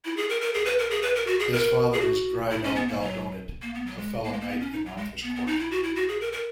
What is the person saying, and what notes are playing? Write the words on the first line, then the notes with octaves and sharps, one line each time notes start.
His father is Greidawl Galldonyd, a fellow knight in Arthur's court.
E4
G#4
A#4
A#4
G#4
B4
A#4
G#4
B4
A#4
F#4
G#4
A#4
G#4
F#4
E4
C#4
B3
A#3
F#3
A#3
B3
F#3
G#3
A#3
G#3
A#3
B3
C#4
D#4
F#3
G#3
B3
B3
D#4
E4
F#4
E4
F#4
G#4
A#4
A#4